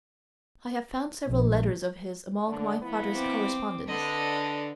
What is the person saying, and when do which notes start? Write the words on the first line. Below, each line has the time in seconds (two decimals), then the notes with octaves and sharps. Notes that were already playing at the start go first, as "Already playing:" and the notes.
I have found several letters of his among my father's correspondence.
1.30 A#1
2.48 D3
2.81 F3 B3 E4
3.12 C4 D6
3.88 D3 B4 D#5